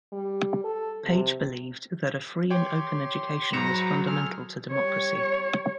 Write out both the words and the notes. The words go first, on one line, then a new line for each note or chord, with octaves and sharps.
Page believed that a free and open education was fundamental to democracy.
G3
A4
C3
G4 C#5 G5 C6
G#2 F#3 B4 A#5 C#7 E7
G#4 A4 F6
G3 C#5